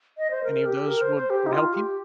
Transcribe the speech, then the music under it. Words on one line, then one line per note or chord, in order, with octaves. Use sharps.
any of those would would help you?
D#5
C5
A#4
G4
A#4
C5
C5
G4
D#4
F4
G4